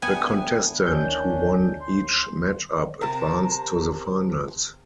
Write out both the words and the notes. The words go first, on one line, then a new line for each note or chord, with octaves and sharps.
The contestant who won each matchup advanced to the finals.
F#2 A3 B3 D4 G5 G#5
D2 D#3 C#4 D4 G6
D#2 C6
C3 A#4 A5